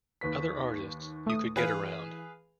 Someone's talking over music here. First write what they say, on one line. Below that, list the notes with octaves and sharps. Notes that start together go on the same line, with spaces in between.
Other artists, you could get around.
D#2 B4 B6
A3 D#6
E3 G#4 B4 F5